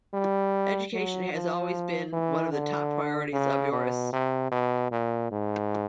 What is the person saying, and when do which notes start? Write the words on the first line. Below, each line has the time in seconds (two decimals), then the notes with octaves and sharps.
Education have always been one of the top priorities of Oeiras.
0.14 G3
0.94 F#3
1.33 F3
2.13 E3
2.53 D3
3.33 C#3
3.72 B2
4.13 C3
4.52 B2
4.91 A#2
5.31 G#2